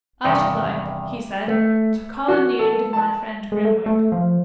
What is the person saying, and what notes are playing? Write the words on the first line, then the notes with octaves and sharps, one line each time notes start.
'I should like,' he said, 'to call in the aid of my friend Grimwig.
E2 G2 C3 D#3
A3
F#4
A4
A5
G#3
A3
A3
F3